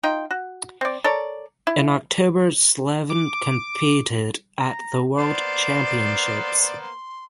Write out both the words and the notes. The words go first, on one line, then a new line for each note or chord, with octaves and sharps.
In October Slevin competed at the World Championships.
D#4 F4 G5
F#4
C4 D5
A4 A#4 C#5 D5
E4
D6
A#5
A#3 B3 C5 D5 C6
C6